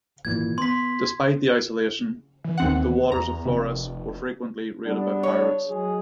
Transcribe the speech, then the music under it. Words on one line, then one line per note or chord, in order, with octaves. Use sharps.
Despite the isolation, the waters of Flores were frequently raided by pirates.
G#1 A#2 E3 G#6
B3 C6 B6
E3
D#2 C4 F#5
E2 A#5
F1 C3
G3 B3 D4
C#5
F#3 G#3 G#4